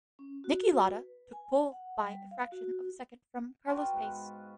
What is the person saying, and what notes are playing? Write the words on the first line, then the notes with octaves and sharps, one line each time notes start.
Niki Lauda took pole by a fraction of a second from Carlos Pace.
C#4
F#4
B4
G#5
F#5
G3
F5
F#4
F4 F#4 B4 G5
G#2 B3
B4